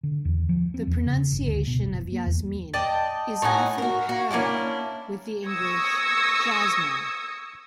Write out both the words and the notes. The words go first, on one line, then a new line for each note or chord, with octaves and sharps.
The pronunciation of "Yasmin" is often parallel with the English "Jasmine".
D3
E2
F3
C4
E2
C#3
G1
D2
B2
F#1
A#3
E2
D5 D#5 G5 A5
A2 D#4 F#5 G#5
F#4 A#4
F#4
A#3 C#4 D4 E4
C#6 D#6 E6 G#6 A#6 C#7